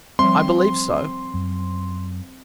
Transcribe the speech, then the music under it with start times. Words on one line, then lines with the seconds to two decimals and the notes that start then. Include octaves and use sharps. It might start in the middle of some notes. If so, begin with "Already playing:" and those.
"I believe so."
0.19 F3 G3 C4 C6
1.34 F#2